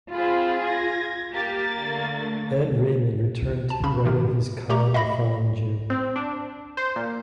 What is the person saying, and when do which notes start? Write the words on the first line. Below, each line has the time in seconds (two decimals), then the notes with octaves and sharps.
Ed Raymond returned to writing his column the following June.
0.13 C4 F4 G#4 B5
0.65 G#6 A#6
1.34 A#3 G4 A6
1.79 D3 A3
3.70 A5
3.84 C#3 C#4 B5
4.04 G#2 C3 D#3
4.70 A3 G4 A#5 C#6
4.94 D#5 E5 B5 A#6
5.90 C4
6.16 D4
6.77 C5
6.96 A#2